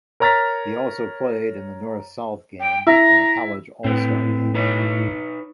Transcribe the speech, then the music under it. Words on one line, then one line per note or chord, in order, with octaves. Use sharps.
He also played in the North-South Game and the College All-Star Game.
A#4 C#5 A#5 F6 A6 B6
G5
E4 A#5
A2 C4 B4
D#4 B4 C#5